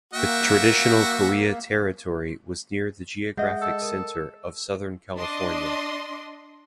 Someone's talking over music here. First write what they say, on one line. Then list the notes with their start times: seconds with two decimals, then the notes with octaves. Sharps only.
The traditional Cahuilla territory was near the geographic center of Southern California.
0.14 A#3 F#4 E5 G5
3.37 G#3 D#5 E5 F#5 G6
3.62 A4
3.82 A#4
5.18 D4 D#5 C6